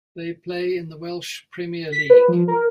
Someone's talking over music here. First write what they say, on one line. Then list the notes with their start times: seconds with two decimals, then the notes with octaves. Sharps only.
They play in the Welsh Premier League.
1.92 B6
2.10 B4
2.28 F3
2.48 A#4